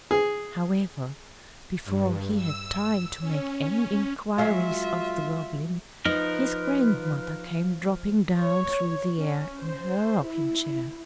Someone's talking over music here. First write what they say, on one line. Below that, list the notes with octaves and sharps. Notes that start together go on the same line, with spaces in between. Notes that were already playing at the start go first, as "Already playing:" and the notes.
However, before he had time to make any inquiries of the Goblin, his grandmother came dropping down through the air in her rocking-chair.
G#4
G2
E6
C#4
F#3 G#3 F4 E5 F5
F3 D#4 A#4 B4
C#5
C#4
C5
E4